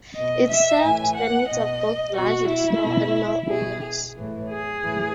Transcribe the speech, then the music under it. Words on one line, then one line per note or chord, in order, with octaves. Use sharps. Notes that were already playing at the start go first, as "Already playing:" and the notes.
It served the needs of both large and small animal owners.
B2 D#5
E5
A2 E3 G#5
F#5
B2 D#5
B2 F#4
E4
B2
B2 G#4
A2 E3
G#4
A2 E3